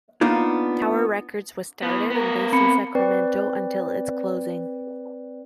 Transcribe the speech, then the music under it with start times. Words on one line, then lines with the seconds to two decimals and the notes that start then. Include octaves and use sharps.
Tower Records was started and based in Sacramento until its closing.
0.21 A#3 B3 D4 D#4 F4
1.82 E3 B3
2.10 B3 A#4
2.53 C4 B5 C#7
2.95 C4 B4 D5